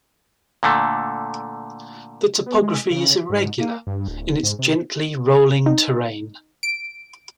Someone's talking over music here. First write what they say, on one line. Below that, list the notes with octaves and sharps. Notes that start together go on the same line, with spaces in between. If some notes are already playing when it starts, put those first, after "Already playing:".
The topography is irregular in its gently rolling terrain.
A#2 D3 A3
B3
G#3
C#3
G#2
A#3
G2
D1
G#2
C3
D#4
D7